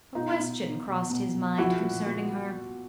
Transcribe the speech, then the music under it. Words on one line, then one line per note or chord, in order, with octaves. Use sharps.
A question crossed his mind concerning her.
B2 D#4 F4
B2
B2
B2
B2
B2
F3 E4 F#4
A#2
A#2